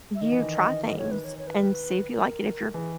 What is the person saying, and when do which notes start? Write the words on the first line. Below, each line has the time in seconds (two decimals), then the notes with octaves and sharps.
you try things and see if you like it, if you're
0.15 E5
0.21 D#3 D#5
0.32 E3
0.43 D#3
0.85 D#5
0.98 C#5
1.11 B4
1.24 C#5
1.38 C#5
1.47 B4
2.11 A#4
2.74 E3 G#4